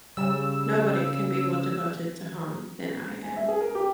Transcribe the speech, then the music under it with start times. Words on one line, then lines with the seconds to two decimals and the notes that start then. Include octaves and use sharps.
Nobody can be more devoted to home than I am.
0.17 C#3 G3 E6
3.23 G#5
3.36 E5
3.48 G#4
3.61 A#4
3.75 G4